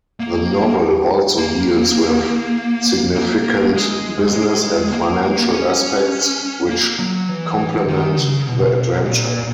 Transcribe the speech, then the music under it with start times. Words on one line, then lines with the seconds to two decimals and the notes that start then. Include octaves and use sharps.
The novel also deals with significant business and financial aspects which complement the adventure.
0.20 A#3
1.38 A#3
3.15 A#3
3.74 G#3
4.33 G#3
4.92 A#3
5.51 C#4
6.70 A#3
6.99 F#3
7.29 E3
7.88 D#3
8.17 C#3
8.47 B2
9.06 A#2